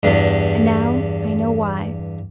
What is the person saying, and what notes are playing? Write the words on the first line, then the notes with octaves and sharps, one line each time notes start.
And now I know why.
E2 G2